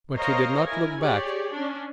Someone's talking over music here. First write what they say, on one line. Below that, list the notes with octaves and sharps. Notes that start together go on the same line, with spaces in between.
But he did not look back.
A#4 C5 C#5 D#5 F5 A#5
E4 A#4 G#5
G4 G#4 C#5 D5
C#4 D4